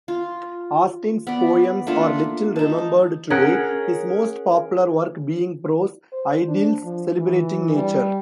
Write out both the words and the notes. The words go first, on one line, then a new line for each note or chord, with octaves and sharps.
Austin's poems are little-remembered today, his most popular work being prose idylls celebrating nature.
F4
B3 D5
A3 A#3 D4 F4
D#4 A5
C#4 G#4 A#4 F#5
C5
D4
F3
E3
G3